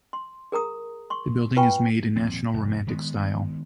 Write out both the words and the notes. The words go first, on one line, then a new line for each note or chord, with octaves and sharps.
The building is made in national romantic style.
C6
G#4 A#4 A#5 D#6
C6 C#6
F4 B4 G5 G#5 B5 C#6
D#1 A#2 F3 C4
F1
D#3 G#3 B3